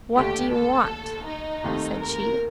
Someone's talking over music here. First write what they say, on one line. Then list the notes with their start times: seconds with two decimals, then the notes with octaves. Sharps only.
'What do you want?' said she.
0.16 D#2 D3 A3 G4
0.52 A4
1.26 D#4
1.64 D#2 D#3 A3 C4 G4
2.00 A#4